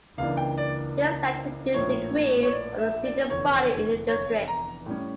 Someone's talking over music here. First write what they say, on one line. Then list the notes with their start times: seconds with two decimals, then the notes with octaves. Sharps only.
This led to the decrease of the student body in the district.
0.18 C#2 C#3 E3 A#3 D4 F5
0.37 G5
0.58 D5
1.74 A#1 A2 F3 A#3 E4 C#5
2.43 C#5
2.52 D5
2.78 E5
3.04 D5
3.30 F1 E2 D3 C#5
4.08 C#5
4.48 A#5
4.86 A2 G3 C#4